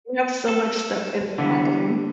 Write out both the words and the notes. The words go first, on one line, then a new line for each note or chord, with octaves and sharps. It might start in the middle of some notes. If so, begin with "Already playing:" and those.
they have so much stuff in Manhattan.
A4
D3 E3 B3